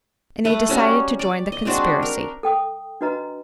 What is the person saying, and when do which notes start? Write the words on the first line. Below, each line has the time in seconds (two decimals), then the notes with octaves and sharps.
And they decided to join the conspiracy.
0.45 A3 B4
0.69 G3 C#4 F#4 A#5
1.19 D5
1.52 D#5
1.65 G#3 C4 D4 F#4
2.03 A#4
2.43 A4 G5 D#6
3.01 D4 F#4 B4 D#5 A#5